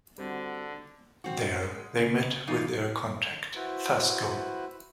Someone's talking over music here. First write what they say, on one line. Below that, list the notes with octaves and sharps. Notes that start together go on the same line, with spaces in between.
There, they meet with their contact, Fasgo.
D3 G3 C4 F#4
C4 F#4
G#3
C#3
E3 A#3 D#4 F4
E4 F#4 B4 C5